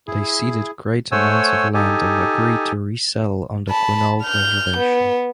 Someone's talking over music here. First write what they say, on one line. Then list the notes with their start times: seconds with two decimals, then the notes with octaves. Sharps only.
They ceded great amounts of land and agreed to resettle on the Quinault reservation.
0.07 E4 G#4
1.12 A3 C5 C#5 F#5 G#5 E6
1.74 D#4 G4 A4 G#5
3.70 A5 B5
4.23 F6 G6
4.77 B3